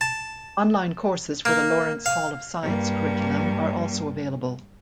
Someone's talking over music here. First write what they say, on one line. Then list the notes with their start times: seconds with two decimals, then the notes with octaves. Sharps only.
Online courses for the Lawrence Hall of Science curriculum are also available.
0.01 A5
1.45 A#3
2.06 F5
2.63 G2 A#3